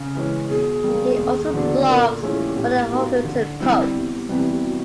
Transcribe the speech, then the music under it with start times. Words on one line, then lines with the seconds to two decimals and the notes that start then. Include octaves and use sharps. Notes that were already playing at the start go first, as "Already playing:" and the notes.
He also blogs for the "Huffington Post".
Already playing: C#3
0.15 E3 G#3 C#4
0.49 B2 G#4
0.84 G3 A#3
1.18 D#2
1.53 D3 F#3 B3 D4
1.87 A#2 A#4
2.05 A4
2.22 F3 A3 C#4 E4 G#4
2.39 G4
2.57 A2 G4
2.91 F#3 A#3 D#4
3.25 D3
3.60 G3 C4 E4
3.94 E2 G4
4.29 C3 E3 G3 B3
4.63 F#4